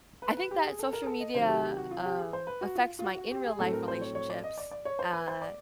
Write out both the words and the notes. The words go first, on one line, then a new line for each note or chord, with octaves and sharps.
I think that social media, um, affects my in real life relationships, uh,
B4
B4
G4
G#4
A4
A#4
G#4
A4
D#5
C3 D#3 F#3 C5
G4
G4
F#4
F4
G4
G#4
C5
B4
F#4
F4
F4
F#4
F#4
G4
G#4
A2 F#3 A3 C4 A4
A#4
C5
C#5
C#5
D5
D#5
D5
D5
C#5
C5
B4
C5
D5